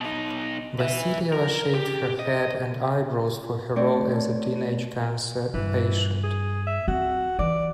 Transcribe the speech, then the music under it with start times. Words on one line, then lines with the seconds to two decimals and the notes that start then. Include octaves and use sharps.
Vassilieva shaved her head and eyebrows for her role as a teenage cancer patient.
0.01 B2 D#4
0.79 B4 E5
1.32 A#4
1.75 G4
2.19 D#5
3.76 A3 C4 D4 C#5 D5
5.54 G2 E3
6.23 G#4
6.67 E5
6.88 C4 F#4
7.39 E3 D5